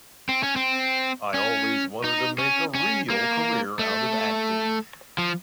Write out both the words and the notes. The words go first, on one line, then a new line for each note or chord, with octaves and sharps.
I always wanted to make a real career out of acting.
C4
C#4
C4
C#4
D#4
C#4
C#4
A#3
A3
F3